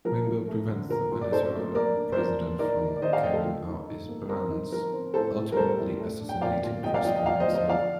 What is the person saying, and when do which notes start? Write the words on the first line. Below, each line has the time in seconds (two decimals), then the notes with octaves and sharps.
Rainbow prevents the Venezuelan President from carrying out his plans, ultimately assassinating Crespo himself.
0.05 F3 A#4
0.27 F3
0.48 A3
0.69 D3
0.89 A#2 A#4
1.11 A#2
1.21 D5
1.32 D#4 A4 C5
1.54 A3
1.75 A#3 A#4 D5
1.96 D4
2.12 C5
2.17 F3 A#4 D5
2.38 A#3
2.59 D#4 A#4 D5
2.81 D#3
2.97 D5
3.02 D#3 C5 D#5
3.12 D5 F5
3.23 A3 D#5 G5
3.34 A4
3.44 F3
3.66 D#4
3.88 D#4
4.09 A#3
4.29 C4 A#4
4.51 D#4
4.72 F3 A#4
4.93 C4
5.14 A2 A4 C5
5.35 A2
5.52 A#4
5.56 G3 A4 C5
5.78 A2
5.99 A3
6.20 D4
6.29 G5
6.41 A#2 D5 F5
6.63 A#2
6.84 F3 D#5 G5
6.94 D5 F5
7.05 F3 D#5 G5
7.15 D#5 G5
7.26 F3 D5 F5
7.40 C5 D#5
7.48 F3
7.54 C5 D#5
7.69 F3 D5 F5